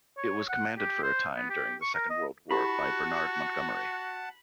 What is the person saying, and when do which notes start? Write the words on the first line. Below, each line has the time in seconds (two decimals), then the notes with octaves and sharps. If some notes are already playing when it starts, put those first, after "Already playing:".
It was commanded for a time, during the Second World War, by Bernard Montgomery.
0.17 C#5
0.49 F#5
0.78 G4
1.03 C5
1.36 B3
1.50 G4
1.82 C#6
1.95 A#4
2.10 D#5
2.51 E4 F#4 G4 F#5 A5 B5